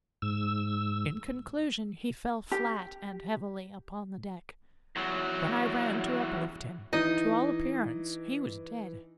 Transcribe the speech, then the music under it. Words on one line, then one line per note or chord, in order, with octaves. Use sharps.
In conclusion, he fell flat and heavily upon the deck. When I ran to uplift him, to all appearance he was dead.
G#2 E6
G4
E2 F#3
E3 D#4 D#5